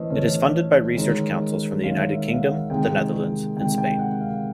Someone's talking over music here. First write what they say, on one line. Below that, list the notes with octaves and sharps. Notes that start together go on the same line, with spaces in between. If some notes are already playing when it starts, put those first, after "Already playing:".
It is funded by research councils from the United Kingdom, the Netherlands and Spain.
Already playing: E3 A3 C#4 B4 C5 D#5
E3 A3 C#4
D#3 G#3 C#4
D#3 G#3 C#4 F5
E5
F5
F#5
C3 D#3 G#3 G5
C3 D#3 G#3 G5
G5
F#5
F5